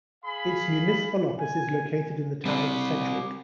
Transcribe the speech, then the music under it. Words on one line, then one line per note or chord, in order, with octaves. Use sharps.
Its municipal office is located in the Town of Sedgewick.
G#4 F5 B5
G#5
G3 C4